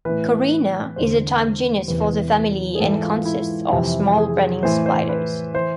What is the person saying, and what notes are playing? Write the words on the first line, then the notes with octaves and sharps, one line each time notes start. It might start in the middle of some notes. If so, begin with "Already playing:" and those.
"Corinna" is the type genus for the family and consists of small running spiders.
A2 E3 B4
E2 D3 C5
E2 C3 E3 B4
G#4
G#2 E3 A4
F4
E4
F2 C3 E3
G#4
A2 E3 C5
C5
B4
E3 C5